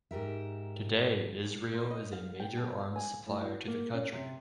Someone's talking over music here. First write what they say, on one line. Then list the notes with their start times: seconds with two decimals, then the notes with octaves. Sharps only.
Today, Israel is a major arms supplier to the country.
0.11 G#2 G4 A#4 E5
1.74 A#2
1.90 D#5
2.13 F5
2.40 G5
2.56 B2
2.79 F5
2.96 G#5
3.26 A2
3.43 F#4
3.67 A#3
3.94 C#4
4.12 C3